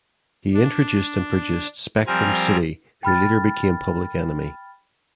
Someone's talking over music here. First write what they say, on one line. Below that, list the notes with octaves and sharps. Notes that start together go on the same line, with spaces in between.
He introduced and produced Spectrum City who later became Public Enemy.
D4
F3 G3 C4 A#4 G#5 F6
G5 B5 F6 A6